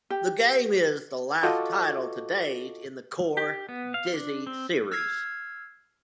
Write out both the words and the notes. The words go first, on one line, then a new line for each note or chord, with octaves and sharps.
The game is the last title to date in the core "Dizzy" series.
G4
F4 F#4 A4 D#5 C#6 D6
G4
B3
F5
D4
C4
E6 F6 G#6 C7